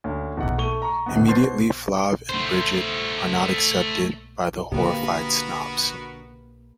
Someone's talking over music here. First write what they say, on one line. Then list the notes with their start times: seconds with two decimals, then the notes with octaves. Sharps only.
Immediately Flav and Brigitte are not accepted by the horrified snobs.
0.04 D2 C#4
0.37 E2 D#4 F#5
0.58 A3 C#6 D#7 G7
0.82 A#5 C#6
1.06 D1 G1 B3
1.27 B2 B4 C5 C6 A6 C7
2.29 A3 C5
4.72 D3 A#3 B3 F#4 G4 A#4 B4